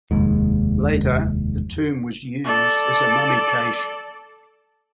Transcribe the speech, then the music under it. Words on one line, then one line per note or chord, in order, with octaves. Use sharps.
Later the tomb was used as a mummy cache.
F1 D#2 G#2
A4 D5